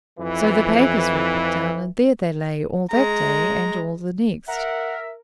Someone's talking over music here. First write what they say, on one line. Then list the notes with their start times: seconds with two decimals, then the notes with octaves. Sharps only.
So the papers were put down, and there they lay all that day and all the next.
0.18 F2 E3
2.90 G#3 A#5
4.48 A#4 E5 F#5